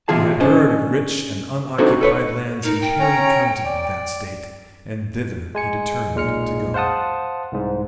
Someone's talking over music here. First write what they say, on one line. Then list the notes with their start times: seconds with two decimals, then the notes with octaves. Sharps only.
He had heard of rich and unoccupied lands in Perry County in that State, and thither he determined to go.
0.08 C3 E3 F4 G#4 A5
0.40 C#4 D4 C5 D#5
1.78 C4 D4 D#4 F#4 A4 C5
2.01 A4 B4 C#5
2.64 D#4 A#4
2.82 G5
3.00 C#4 C#5 A#5
3.65 D5
5.55 G#3 G#5 C#7
6.15 B1 A#2 G#3 F6 C#7
6.74 C5 F5 F#5 A5 D#6
7.52 C2 G#2